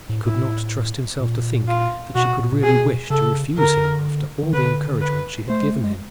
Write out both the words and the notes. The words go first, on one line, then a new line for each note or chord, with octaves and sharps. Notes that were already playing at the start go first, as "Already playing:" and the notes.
He could not trust himself to think that she could really wish to refuse him after all the encouragement she had given him.
A2
A2 E4
A#2
F4
B2 F#4
A#2
A#2
B2 G#4
C#3 A4
D3 A#4
D#3
D3 B4
B4
A3 C5
G#3
A3
G#3